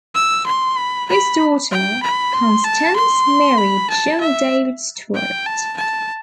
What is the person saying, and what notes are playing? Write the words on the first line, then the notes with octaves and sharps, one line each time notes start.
His daughter Constance married John David Stewart.
E6
C6
B5
B5
G5
B5
C6
A5
C6
B5
A5
E5
G5
A5
A5